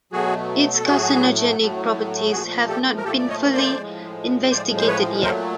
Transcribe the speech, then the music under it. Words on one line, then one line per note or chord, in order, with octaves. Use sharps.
Its carcinogenic properties have not been fully investigated yet.
B2 F#3 A3 F#4 G#4
A4
A2 F#3 A3 F#4 G#4
A2 F#3 A3
A#2 F3 A3 F#4 G#4
G4 A4
A#4
A#2 F3 A3 G4 A4
D5
C#5 D#5
C5 D5
A2 F3 G#3
A2 F3 G#3 C5 D5
C5
B4 C#5
A#2 F#3 A3 A#4 C5